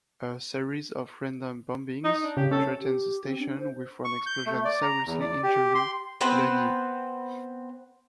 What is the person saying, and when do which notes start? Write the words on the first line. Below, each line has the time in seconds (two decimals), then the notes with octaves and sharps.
A series of random bombings threaten the station, with one explosion seriously injuring Lennier.
2.04 D#4
2.23 D4
2.37 C#3 G4
2.51 C#4 A4
2.81 G4
3.25 C4
3.39 D4
3.60 C5
4.04 C#6
4.26 G6
4.46 A3
4.65 D5
4.82 A#5
5.06 E2
5.21 D5
5.43 G4
5.75 C6
6.21 B3 C4 B4 C5